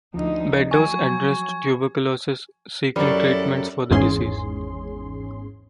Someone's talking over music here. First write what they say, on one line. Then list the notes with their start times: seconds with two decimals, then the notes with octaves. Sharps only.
Beddoes addressed tuberculosis, seeking treatments for the disease.
0.14 D2 F3 D#4
0.71 F#3 G#5 C#6 G#6
2.96 F#2 F#3 G3 E4 A4 D5
3.90 G#1 E2 G#2 C#4 G#4 C6